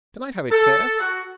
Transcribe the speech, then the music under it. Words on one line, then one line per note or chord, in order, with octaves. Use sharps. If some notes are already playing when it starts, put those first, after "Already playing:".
Can I have it, Claire?
A4
F#4